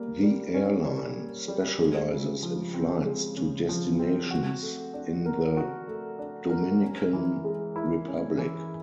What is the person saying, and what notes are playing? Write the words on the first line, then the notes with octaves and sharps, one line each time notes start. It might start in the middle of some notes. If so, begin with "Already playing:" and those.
The airline specializes in flights to destinations in the Dominican Republic.
Already playing: G3 A#3
G3
C#4
G3
A#3
G3
G#3
C#3
F3
C4
G#3
C#3
F3
C4
F#4
A3
D4
A#4
F#4
A3
D4
A#4
C#4
E3
G#3
E4
C#4
E3